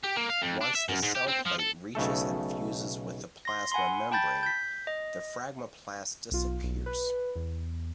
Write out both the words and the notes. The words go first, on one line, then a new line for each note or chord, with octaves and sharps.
Once the cell plate reaches and fuses with the plasma membrane the phragmoplast disappears.
G4
A#3
F5
F2
D4
E5
F#2
G#2
G4
C4
F3
A4
B1 C#3 A3 A4
C6 A#6
F#5 G#5 B5 C6
G5 A5 B5 G6 A6
G6 B6
D#5
B1 F4
B1
B4
E2